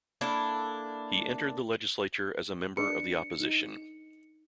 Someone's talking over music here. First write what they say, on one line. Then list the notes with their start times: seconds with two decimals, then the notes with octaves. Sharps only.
He entered the legislature as a member of the opposition.
0.21 A#3 D4 E4 A4
2.77 D4 B4 B5 C#7
3.40 D#4